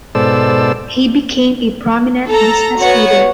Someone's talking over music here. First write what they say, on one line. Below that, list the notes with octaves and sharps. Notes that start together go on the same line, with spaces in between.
He became a prominent business leader.
G#2 B2 A4 C5 D5 E6
A4 A#5
B3 F#4 C#5 F#5